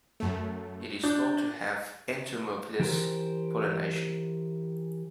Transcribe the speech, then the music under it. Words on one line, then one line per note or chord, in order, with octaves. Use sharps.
It is thought to have had entomophilous pollination.
F#2 A3
D4 G6
E3 G4 A#4 C5